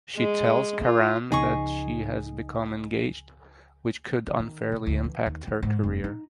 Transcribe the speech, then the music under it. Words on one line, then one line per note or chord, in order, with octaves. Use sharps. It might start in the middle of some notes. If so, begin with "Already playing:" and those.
She tells Karan that she has become engaged which could unfairly impact her career.
G#3
F4
C#2 C#3 F3 D#4 G#4 D#5 C#6
D3
D#3
A#2
D2
E3
D#2
E3
G#2
F1
D#4